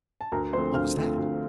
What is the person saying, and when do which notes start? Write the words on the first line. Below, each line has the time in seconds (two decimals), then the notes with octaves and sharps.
What was that?
0.21 A5
0.32 D2 A#4 A#5
0.53 D3 F3 A3 C4 C5 C6
0.74 D2 F5 F6
0.96 D3 F3 A3 C4
1.18 D2